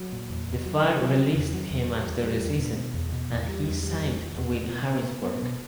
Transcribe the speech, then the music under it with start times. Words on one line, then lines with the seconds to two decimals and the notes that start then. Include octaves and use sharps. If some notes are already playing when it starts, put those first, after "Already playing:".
The Fire released him after the season, and he signed with Harrisburg.
Already playing: F#3
0.12 A#2
0.30 E2
0.48 E2
0.66 F#3
0.83 C#3
1.01 F#3
1.18 C#3
1.35 E2
1.53 F#3
1.71 E2
1.89 G3
2.07 E2
2.23 G3
2.42 E2
2.59 B2
2.77 B2
2.94 E2
3.12 B2
3.30 E2
3.48 G3
3.66 E2
3.83 G3
4.00 E2
4.18 E2
4.36 E2
4.54 B3
4.71 B2
4.89 B2
5.06 B3
5.24 B3
5.42 B2